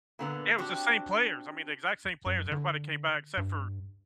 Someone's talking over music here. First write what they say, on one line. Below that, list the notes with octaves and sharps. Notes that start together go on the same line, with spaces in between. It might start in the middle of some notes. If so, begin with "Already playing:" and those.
Yeah, it was the same players. I mean, the exact same players, everybody came back except for
A#2 D3 B3
C4 D4 F#4 G4
F#2
D3
G2